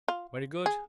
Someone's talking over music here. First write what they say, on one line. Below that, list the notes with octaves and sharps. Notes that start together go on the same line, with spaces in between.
Very good.
F4
G#4